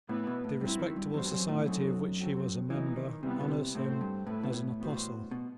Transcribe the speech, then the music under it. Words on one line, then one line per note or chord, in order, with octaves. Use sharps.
The respectable society of which he was a member honours him as an apostle.
A2 E3 B3 E4 B4
B2
A2
G2 F#3 C4 E4
D#3
G2
E2 G3 C4 F#4 C5
G2
F#2
A2
E2
F#2 C4 D#4 F#4 A4
F#3 C4 F#4 A4
E3 F#3 B3 D#4
D#3
C3 E3 G3 B3
B2
C3
A2 A3 C4 F#4 C5
G2
A2 A3 E4 B4
B2
A2
E3 G3 B3 F#4 C5
B2